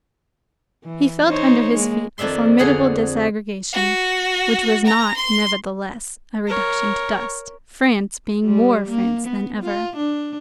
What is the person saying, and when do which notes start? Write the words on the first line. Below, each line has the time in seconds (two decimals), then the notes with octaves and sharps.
He felt under his feet a formidable disaggregation, which was not, nevertheless, a reduction to dust, France being more France than ever.
0.84 E3
1.26 D#4 C5 C#5
1.74 G#3 A#3
2.18 F2 D#3 D4 E5 C6
2.58 F2 D3 G#4 F#5 A#5
3.73 F#4
4.86 A#5
5.16 C6
6.47 A#4 C#5
8.45 G3
8.89 A#3
9.27 B3
9.61 F4
9.96 D4